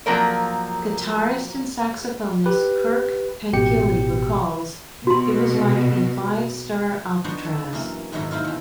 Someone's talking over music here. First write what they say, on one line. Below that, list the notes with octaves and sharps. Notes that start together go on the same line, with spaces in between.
Guitarist and saxophonist Kirk Pengilly recalls, "It was like a five-star Alcatraz".
F3 F#3 A#3 C4 A#4 D5
G4 B4
A1 B2 G4 G5 C#7
B2 F#4 C6
B3 D4 D#4 F#4 C5 D5
A4
F#2 E3 A#3
G#2 B2 D#3 F#3 E4
A#3 C4 E4 F4 A#4
E2 B2